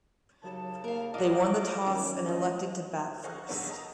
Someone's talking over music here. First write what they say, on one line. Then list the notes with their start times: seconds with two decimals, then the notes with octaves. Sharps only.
They won the toss and elected to bat first.
0.44 D#2 C#3 F#3 A5
0.84 A#3 A#4 F5
1.14 D#4 F#4 D5 D#5 F5 D6
1.86 F#2 D#3 C#4
2.27 F3 A3 F4 D#5
3.24 C5 D#5 F5 F#5 G#5 C#6
3.48 B1 E2 G2 D#3 B3 C#5
3.69 D#5 A5 A#5